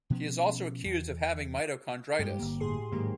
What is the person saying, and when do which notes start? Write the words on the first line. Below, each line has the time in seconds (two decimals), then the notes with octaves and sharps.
He is also accused of having mitochondritis.
0.10 B2 F3 B3 C#4
0.85 E2
2.19 G2 G#3 G4
2.39 G1 A#3
2.60 A2 G#4 C6
2.92 G#2 D#3 F#3 A#3 G4